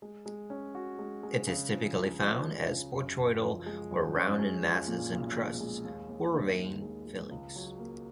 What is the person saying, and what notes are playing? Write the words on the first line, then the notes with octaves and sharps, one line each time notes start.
It is typically found as botryoidal or rounded masses and crusts, or vein fillings.
G#3
G#3
C#4
F#4
G#3
G#3
C#3
F3
C#2
F3
F3
C#3
F#2
F#2
F3
G#3
F#2
C#4
G#3
F3
A#2
B1
G#3
G#3
D#2
D#2
D#2
D#3
G#3
G#3
C#2
F#3
A#3